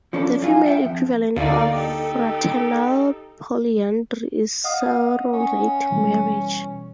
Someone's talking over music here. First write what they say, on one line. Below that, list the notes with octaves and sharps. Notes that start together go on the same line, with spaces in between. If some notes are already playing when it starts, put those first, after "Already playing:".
The female equivalent of fraternal polyandry is sororate marriage.
F3 C#4 D4 A4
F#2 F4 G#5
E5 F#5 G5
F2
D2 A#3 D#4 F4 D5
D#4 G4 A4
D#5 F5 F#5 D#6
C#4
B2 E3 G3